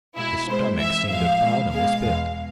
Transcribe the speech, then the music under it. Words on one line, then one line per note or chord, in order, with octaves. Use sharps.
His stomach seemed a bottomless pit.
B2 G#3 E4
B2 G#3 C5
F2 E3 G#3 E5
A2 F3 G#3 F5
B2 G#3
B2 G#3 F5
E2 B2 G#3